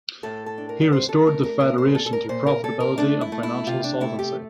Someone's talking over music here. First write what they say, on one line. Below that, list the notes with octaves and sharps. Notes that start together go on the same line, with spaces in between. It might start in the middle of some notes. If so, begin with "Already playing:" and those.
He restored the federation to profitability and financial solvency.
A2 A4
A4
D4
A#4
D5
D4 C5
A4
A3 A#4
A#4
A#2 A#4
C5
A#2 A4
A4
A#4
A#2 C5
A#4
A#2 A4
A#4
A3 D4
E4
A3
E4
C3 F4
D4
A3 E4
G4